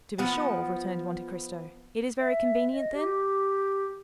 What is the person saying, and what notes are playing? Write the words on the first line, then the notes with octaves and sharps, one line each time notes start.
"To be sure," returned Monte Cristo; "it is very convenient, then?"
F3 B3 F#5
E5
D#5
G4